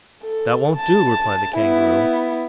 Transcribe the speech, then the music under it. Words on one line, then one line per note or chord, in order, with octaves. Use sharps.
"That won't do," replied the Kangaroo.
A4
A5
B3 E4